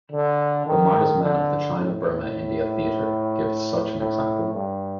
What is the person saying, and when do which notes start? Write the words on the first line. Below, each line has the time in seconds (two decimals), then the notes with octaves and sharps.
The Mars Men of the China Burma India Theater give such an example.
0.12 D3
0.66 D#3
1.22 D3
1.78 A2
3.99 A2
4.54 G2